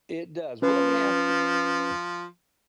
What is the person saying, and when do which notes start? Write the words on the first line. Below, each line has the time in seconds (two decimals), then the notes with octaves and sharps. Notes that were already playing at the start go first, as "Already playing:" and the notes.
It does, well, let me ask y
0.62 F3 C#4 B4